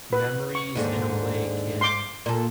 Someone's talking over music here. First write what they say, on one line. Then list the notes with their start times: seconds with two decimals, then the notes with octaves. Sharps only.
memories in a way can
0.13 B4
0.55 C#6
0.75 D#2 G#2 D3
1.81 C6 D6
2.26 A#2 A4